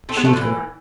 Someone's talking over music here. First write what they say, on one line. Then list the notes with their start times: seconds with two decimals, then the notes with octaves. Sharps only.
Cheat her.
0.09 A3 C4
0.17 G#3 B3
0.25 F3 A3
0.33 D3
0.41 E3